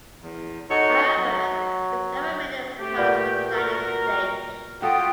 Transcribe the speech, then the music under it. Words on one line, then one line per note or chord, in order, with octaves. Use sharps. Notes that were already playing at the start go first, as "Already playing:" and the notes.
However, this never made it past the planning stage.
E2
D#4 F#4 A4 C#5 C#6
F#3
A3 G4
A#2 B3
F#4 A#4
F4 F#4 A4 G5 D#6